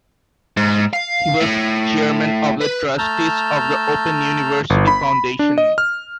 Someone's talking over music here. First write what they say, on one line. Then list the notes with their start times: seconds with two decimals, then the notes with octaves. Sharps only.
He was chairman of the Trustees of the Open University Foundation.
0.57 G#2
0.93 F5
1.40 A2
2.61 B4
2.98 A3 A5 A#5 E6 F6 G6
4.70 G1
4.87 B5
5.39 D4
5.58 D#5
5.78 F6